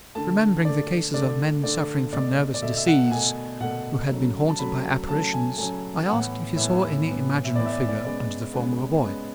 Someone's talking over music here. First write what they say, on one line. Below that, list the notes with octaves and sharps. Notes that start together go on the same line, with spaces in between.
Remembering the cases of men suffering from nervous disease who had been haunted by apparitions, I asked if he saw any imaginary figure under the form of a boy.
D3 A3 A5
D3 A3 D5
D3 A3 D5
D3 A3 D5
B2 A3 D5
D5
B2 A3 E5
E5
F#5
F#5
B2 A3 G#5
B2 A3 F#5
C#3 F#3 A3
A5
C#3 F#3 A3 B5
C#3 F#3 A3 A5
G#5
C#3 F#3 A3 G#5
A2 E3 B3 F#5
A2 E3 B3 E5
A2 E3 B3
E5
A2 E3 B3 D5
E5
D5
D5
C#3 G#3 B3 D5
C#3 G#3 B3
C#3 G#3 B3